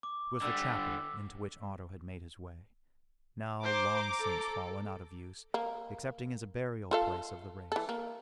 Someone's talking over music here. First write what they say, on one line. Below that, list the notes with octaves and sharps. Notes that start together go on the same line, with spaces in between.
It was the chapel into which Otto had made his way, now long since fallen out of use excepting as a burial place of the race.
D6
D3 G3 E6
C5 A#5 D6
A4
A#3
F4 A4 F5
E3 A4
A#3